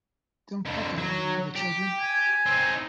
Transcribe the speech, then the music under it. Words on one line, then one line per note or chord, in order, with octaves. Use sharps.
Don't peck at one another, children.
F2 D3
F#3
G4
G#5
C4 D#4